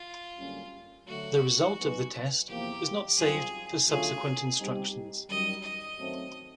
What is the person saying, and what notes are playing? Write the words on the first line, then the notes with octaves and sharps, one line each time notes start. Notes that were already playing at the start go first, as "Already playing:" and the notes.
The result of the test is not saved for subsequent instructions.
Already playing: F4
F#2 D3 G3 A#3 C#4
D3 F#3 A3 F#4
F#3 B3 D#4 G#4 B4
E2 C3 F3 A#3 G4
F#2 D#3 G3 C4 F4 G#4
D3 F#3 A3 C#4 F4 G#4
G3 C4 D#4 G4
F#2 D#3 G3 D#5
D#5
F#2 D#3 F#3 A3 C4